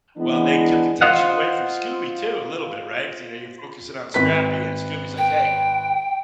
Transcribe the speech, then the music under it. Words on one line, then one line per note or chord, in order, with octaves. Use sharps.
Well, and they took attention away from Scooby too a little bit, right, so you know, you're focusing on Scrappy, and Scooby's like, "Hey,
E3 G#3 B3 D4
F4 C5 D#5 F5 F#5
G#1 B4 B6
G5